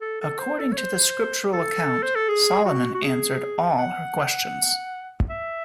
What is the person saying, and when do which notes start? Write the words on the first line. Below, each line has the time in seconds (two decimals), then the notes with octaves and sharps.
According to the scriptural account, Solomon answered all her questions.
0.02 A4
0.21 A4
0.39 C5
0.59 A4
0.72 C#5
0.78 C5
1.53 A4
2.03 C5
2.15 A4
2.29 G#4
2.65 F#4
2.95 F#4
3.03 G#4
3.79 F#5
5.30 E5